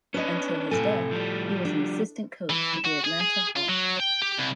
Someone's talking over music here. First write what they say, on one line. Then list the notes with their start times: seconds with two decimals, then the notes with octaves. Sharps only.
Until his death, he was an assistant coach for the Atlanta Hawks.
0.14 C#4 D4 B4 D#5
0.71 A2 C3 A4 G#5
1.11 F3 G3
1.65 D4
2.50 E3
2.85 F#4
3.04 G#4
3.20 G#4
3.57 F4
3.69 F#3
4.00 G5
4.22 G4
4.37 C2